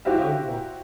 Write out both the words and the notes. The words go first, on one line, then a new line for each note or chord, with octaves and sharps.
Own what?
E4 F#4 G4 C5 E5 F5